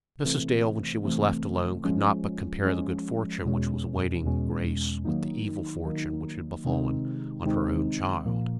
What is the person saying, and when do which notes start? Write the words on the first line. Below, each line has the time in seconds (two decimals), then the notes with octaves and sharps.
Mrs. Dale when she was left alone could not but compare the good fortune which was awaiting Grace, with the evil fortune which had fallen on her own child.
0.24 C3 E3 A3 C4
1.04 C3 E3 A3 C4
1.84 F3 G#3 C#4
2.65 F3 G#3 C#4
3.44 E2 B2 G#3 C#4
4.24 E2 B2 G#3 C#4
5.05 D#3 F#3 A#3 D#4
5.85 D#3 F#3 A#3 D#4
6.65 C3 D#3 G#3 C4 D#4
7.45 C3 D#3 G#3 C4 D#4
8.25 A#2 F3 A#3